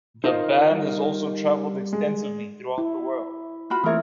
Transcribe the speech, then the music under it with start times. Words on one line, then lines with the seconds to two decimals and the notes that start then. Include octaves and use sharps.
The band has also traveled extensively throughout the world.
0.24 D#4 F4 A#4 C5 D#5
0.72 G3
1.93 G#3
2.78 E4
3.70 F4 F#4 B5
3.84 E3 A3 A#3 C4 F4 A#4 C#5 E5